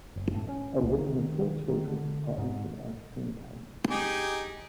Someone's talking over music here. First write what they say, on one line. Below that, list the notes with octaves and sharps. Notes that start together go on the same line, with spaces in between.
A woman with four children are eating ice cream cones.
F#1
A2
C#4
C2
D#3
D#3
D3
G#2
D#4 G4 G#4